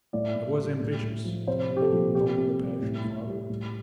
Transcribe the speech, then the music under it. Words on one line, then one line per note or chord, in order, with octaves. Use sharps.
I was ambitious--have you known The passion, father?
A2 D5
A2
G3
A2
A2
F3
C3 C5
C3
G4
A4
F3
C3 G4
C3
G3
A2
A2
G3
A2